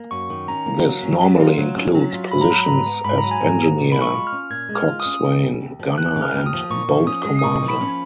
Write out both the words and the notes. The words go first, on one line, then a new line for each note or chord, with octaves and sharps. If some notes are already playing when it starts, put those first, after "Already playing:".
This normally includes positions as engineer, coxswain, gunner, and boat commander.
Already playing: A#3
F#2 C#6
D#3
C#4 A#5
A#3
F#3
C#4
F#3
F4
F#3
C#4
F#3
F4
G#2 B5
A#5
F#3 B5
G#2 A#5
B3
G#2 B5
F#3 A#5
G#5
G#2 A#5
B3
A#2
G#3 B5
C#6
F4
F6
C#4
A#2 G#6
G#3
F6
F4
D#6
C#4
D#2
C#3
D#2
F3
D#2 F#6
C#3
F6
D#2
D#6
F3
A#2 C#6
F3
C#4 D#6
G#3
D#6
A#2 C#6
F3
B5
C#4